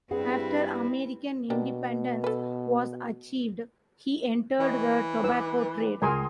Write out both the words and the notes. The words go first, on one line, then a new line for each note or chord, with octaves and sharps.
After American independence was achieved, he entered the tobacco trade.
G2 G3 C4 E4 G#4 B4 F#5
B2 A#3 D4 G4
A4 B4
E3 C#5 D#5 G5
D#4 B4 D6 E6
C#2 G#4 A#4 G#5 C6 D#6